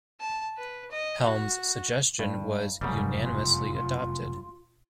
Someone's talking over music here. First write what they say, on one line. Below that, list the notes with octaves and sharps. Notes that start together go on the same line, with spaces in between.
Helm's suggestion was unanimously adopted.
A5
B4
D#5
F#4
G2
F1 F#2 C#3 G3
F4